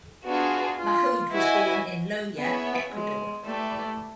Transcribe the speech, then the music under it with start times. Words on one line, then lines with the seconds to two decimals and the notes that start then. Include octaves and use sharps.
Mahuad was born in Loja, Ecuador.
0.25 B3 D4 F4 F#4 G#4
0.79 F4
1.32 E4 F#4 B4 D#5 G#5
2.38 B3 C#4 E4 G#4 B4 E5
2.91 G#3
3.45 A3 E4 G4 B4 D5